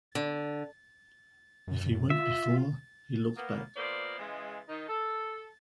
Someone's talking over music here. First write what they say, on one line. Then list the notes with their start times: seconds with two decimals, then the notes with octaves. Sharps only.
If he went before, he looked back.
0.15 D3
1.67 F#2
2.10 F4 E5
3.36 A#3 B3
3.76 A#2 A#3 B3 C5 D5
4.18 C#3 E3 G#3
4.68 D#3 D#4
4.88 A4